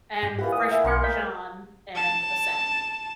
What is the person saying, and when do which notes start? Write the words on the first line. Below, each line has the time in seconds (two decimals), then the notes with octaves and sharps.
and fresh parmesan and a salad.
0.23 G#2 G4
0.39 A#2 E3 G4 F#5
0.53 D#6
0.72 E5 F#5 G#5
0.84 B1 G4 A#4 D5 C6 C#7
1.03 D#5 G6 B6
1.96 A5